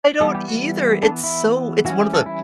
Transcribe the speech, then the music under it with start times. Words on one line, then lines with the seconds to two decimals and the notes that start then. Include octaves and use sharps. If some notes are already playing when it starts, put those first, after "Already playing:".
I don't either. It's so it's one of the
0.21 E3 G3 B3 A4
0.35 G4
0.48 F#4
1.02 E3 B3 D4
1.24 E4
1.85 E3 G3 C#4 F#4
1.99 G4
2.13 A4
2.26 E4